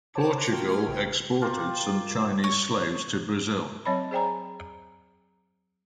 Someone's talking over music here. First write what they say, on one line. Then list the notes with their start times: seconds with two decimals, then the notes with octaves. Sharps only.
Portugal exported some Chinese slaves to Brazil.
0.15 C5 C#5 A5 D6
0.37 A#5 C6 F#6 A#6 D7
0.49 F4 F#4 A#4 G5 C6
0.63 A3 F6 G#6
0.86 A#1 C#3 G5
1.42 F4 G4 A#4
2.44 C#5
3.85 F#3 C4 C#5 D#5 B5
4.11 G#4 C5 D5 G5 G#5 A#5